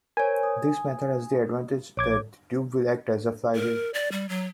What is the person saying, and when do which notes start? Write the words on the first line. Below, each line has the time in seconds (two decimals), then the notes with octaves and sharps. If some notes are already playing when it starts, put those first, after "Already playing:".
This method has the advantage that the tube will act as a flywheel.
0.17 A#4 C5 C#5 G#5
0.43 D#6
1.97 A#1 C#5 D6 G#6
3.55 A#4
3.94 D5
4.12 G3
4.29 F#3